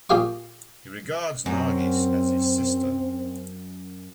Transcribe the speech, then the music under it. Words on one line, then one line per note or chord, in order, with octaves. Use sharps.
He regards Nargis as his sister.
A#2 G4 G#4 F5 C#6
F#2 C4